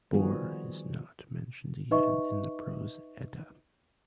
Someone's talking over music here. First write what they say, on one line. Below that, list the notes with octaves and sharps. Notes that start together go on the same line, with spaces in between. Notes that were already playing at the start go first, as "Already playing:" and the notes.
Borr is not mentioned again in the "Prose Edda".
D#3 F3 G3 B3 F#4 G#4
D#4 B4 D#5 E5 C#6